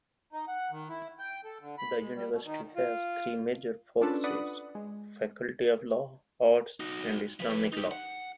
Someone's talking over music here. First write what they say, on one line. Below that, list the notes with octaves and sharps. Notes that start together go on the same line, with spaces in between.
The university has three major focuses: Faculty of Law, Arts, and Islamic Law.
D#4
F#5
D#3
E4
G5
A4
D3
B5
G#3
G3
B2
D#3
F4
C#4 D4 F4 A4 B4
B4 D5 F#5 B5 D#6
G#3
D#4 F#4
F3 B4
D#4 G4
F#5